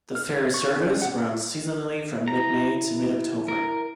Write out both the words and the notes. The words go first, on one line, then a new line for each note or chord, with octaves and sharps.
The ferry service runs seasonally from mid-May to mid-October.
F6
C#6
C#4
F#5
E4 A#5
A#4